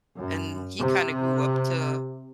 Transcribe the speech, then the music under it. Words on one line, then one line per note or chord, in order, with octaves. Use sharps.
and he kinda grew up to,
F#2
C3